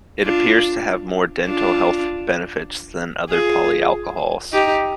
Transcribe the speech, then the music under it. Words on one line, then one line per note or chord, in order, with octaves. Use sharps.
It appears to have more dental health benefits than other polyalcohols.
D4 F4
D4 F4
F4 G#4
D#4 G4